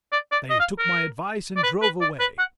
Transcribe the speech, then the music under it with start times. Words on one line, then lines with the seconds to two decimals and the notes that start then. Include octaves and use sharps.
They took my advice and drove away.
0.12 D5
0.32 D5
0.50 D#5
0.60 F5
0.79 A#4
1.57 D5
1.63 B4
1.82 B4
2.01 D5
2.20 B4
2.39 F#5